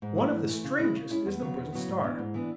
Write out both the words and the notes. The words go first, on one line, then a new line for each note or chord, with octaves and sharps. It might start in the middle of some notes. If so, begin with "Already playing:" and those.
One of the strangest is the Brittle Star.
G#2
E3 A3
G#2
E3 A3
C#3
G#3 C#4 E4
C#3
G#3 C#4 E4
E2
C#3 F#3 B3
E2
C#3 F#3 B3
G#2
E3 B3 D4
G#2
E3 B3 D4